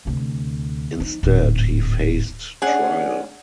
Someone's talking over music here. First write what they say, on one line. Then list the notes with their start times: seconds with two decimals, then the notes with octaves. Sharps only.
Instead he faced trial.
0.05 D2 C3
0.97 F3 D#4
1.23 D1 G#2
2.62 C#4 D4 G#4 F#5